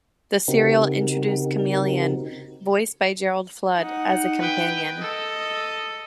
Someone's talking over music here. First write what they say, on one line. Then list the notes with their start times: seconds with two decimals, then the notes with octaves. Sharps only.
This serial introduced Kamelion, voiced by Gerald Flood, as a companion.
0.48 C#3 C4 D#4 F#4 G4 A#4
3.79 D#4 F#5
4.40 B4 G5
5.01 A4 D#5